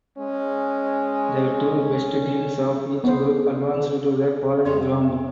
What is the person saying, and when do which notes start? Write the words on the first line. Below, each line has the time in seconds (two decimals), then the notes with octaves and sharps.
The two best teams of each group advanced to the following round.
0.18 G#3 C#4
3.04 B3 C5
4.65 F2 C3 D4 C#5 D#5 C6